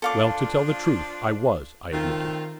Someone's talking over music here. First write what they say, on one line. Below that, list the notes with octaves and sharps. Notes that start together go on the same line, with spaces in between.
"Well, to tell the truth, I was," I admitted.
F3 D4 F4 A4 F5 D6
D#3 A3 C4 F4